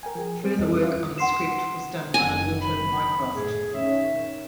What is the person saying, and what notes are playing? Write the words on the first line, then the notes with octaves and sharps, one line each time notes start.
Further work on the script was done by Walter Mycroft.
A#4 G5 G#5
F3 G#4
C4 G#4
F2 A4 D#5
C#4 F4 E5
F#5 C6 C7 E7
F#1 F#2 D#3 G#5
B5
A2 G#4
D#3 C#4 E5